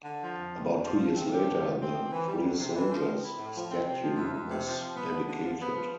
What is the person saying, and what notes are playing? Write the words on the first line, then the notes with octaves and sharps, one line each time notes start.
About two years later the Three Soldiers statue was dedicated.
D3
F3
F2
F2
D3
F3
F3
C4
G4
D3
F3
C4
C3
E3
G3
D2
C3
E3
F3
C4
E4
A2
F3
C4
C3
F3
F2
F2
C3
F3
F3
B3
D3
D3
F3
B3
F3